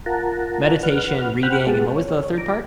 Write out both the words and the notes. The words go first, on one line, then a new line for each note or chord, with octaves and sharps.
meditation, reading, and what was the third part?
F4 A#4 F#5 A5 A#5
B4 F#5 F6
C5 F#5 G5 B5 F6 F#6
G#3 B3 G4 G#4 F#5 A5
C#5
A#5 D6